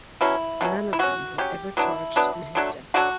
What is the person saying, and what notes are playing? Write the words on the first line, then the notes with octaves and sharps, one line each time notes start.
None of them were ever charged in his death.
B2 F#3 C#4 E4
B2 F#3 C#4
E4
F#3 C#4 F#4
F#3 C#4 G4
F#3 B3 D4 E4
F#3 B3 D4
D3 F#3 A3 D4
D3 F#3 A3 D4 F#4